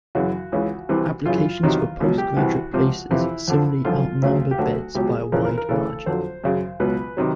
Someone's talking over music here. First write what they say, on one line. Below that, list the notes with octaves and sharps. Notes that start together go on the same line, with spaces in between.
Applications for postgraduate places similarly outnumber beds by a wide margin.
F#2 C#3 E3 F#4
C#2 C#3 E3
C2 C3 E3
F#2 C#3 E3 F4
E2 C3 D#3 F#3
C#2 B2 F#3
G4
C2 C3 E3 F#4
C#2 C3 F3
F2 C3 E3 E4
F2 D3 F3
G#1 F#2 D3 F3 F4
D2 C#3 F#3
G4
D2 D3 F#3 F#4
C#2 B2 F#3 G4
G#4
G#4
F2 C#3 E3 A#4
A#4
A#4
D2 C#3 E3 A4
F2 D3 F#3 C5
F#2 C#3 F#3
C#2 B2 F#3 B4
C3 D#3 F#3